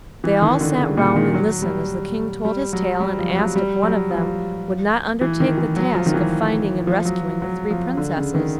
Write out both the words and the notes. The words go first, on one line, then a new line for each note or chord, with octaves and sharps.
They all sat round and listened as the King told his tale and asked if one of them would not undertake the task of finding and rescuing the three princesses.
E3
D#3
D3
C#3
A#2
D#3
F#3
G3
G3
F#3
G3
F3
F#3
G3
F#3
F3
E3
D#3
E3
F#3
F3
D#3
E3
F3
F#3
F#3
F3
D3
C#3
D#3